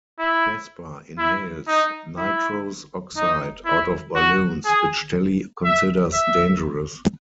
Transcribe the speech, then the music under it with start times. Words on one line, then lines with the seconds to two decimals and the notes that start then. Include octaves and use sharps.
Casper inhales nitrous oxide out of balloons, which Telly considers dangerous.
0.19 E4
1.18 E4
1.67 D#4
2.17 E4
3.17 D#4
3.65 E4
4.15 F#4
4.65 G#4
5.64 E5
6.13 E5